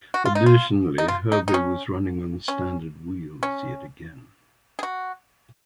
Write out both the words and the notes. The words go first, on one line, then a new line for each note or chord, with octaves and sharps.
Additionally, Herbie was running on standard wheels yet again.
F#4
F4
D#4
F4
D#4
F4
D#4
D#4
C#4
C#4
C#4
G#4
F#4